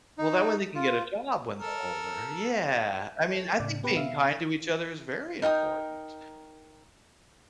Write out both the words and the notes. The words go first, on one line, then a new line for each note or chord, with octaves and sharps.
Well, that way they can get a job when they're older, yeah, I mean, I think being kind to each other is very important
D#4
F4
A4 A#4
A4 C#5
A2 C#3 D5
C3 B3 G4 B4
B2 E5 F5 C7
D#4 A#4 G5 D#6